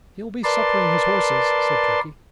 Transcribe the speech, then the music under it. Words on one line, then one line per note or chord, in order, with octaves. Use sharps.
"He'll be suppering his horses," said Turkey.
A#4 B4 D5 A5 C6